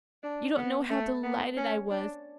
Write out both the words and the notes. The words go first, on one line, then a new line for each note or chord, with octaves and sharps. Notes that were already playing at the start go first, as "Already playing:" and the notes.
You don't know how delighted I was.
D4
B3
A3
B3
C#4
D4